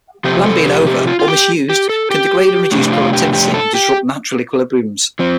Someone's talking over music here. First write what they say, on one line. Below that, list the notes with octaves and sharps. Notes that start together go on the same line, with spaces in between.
Land being over- or misused can degrade and reduce productivity and dissrupt natural equilibriums.
C3 F3 A3 C4 G4
A4
G4
G4
F4
F4
G4
G4
A4
G4
F2 C3 A3 D4 G4
F4
G4
G4
A4
G4
F3 C4